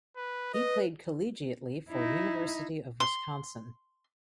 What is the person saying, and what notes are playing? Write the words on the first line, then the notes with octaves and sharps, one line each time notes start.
He played collegiately for University of Wisconsin.
B4
B4 D#5
D#4 E4
C6